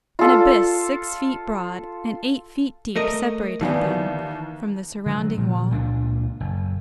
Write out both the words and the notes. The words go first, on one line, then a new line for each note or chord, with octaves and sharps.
An abyss six feet broad and eighty feet deep separated them from the surrounding wall.
F4 A4
A3 A#4 D#5
D#2 D3 E3 B3
D3 F#3 G#3
A#2 F3
C#2 A#2 F#3 D4
F#1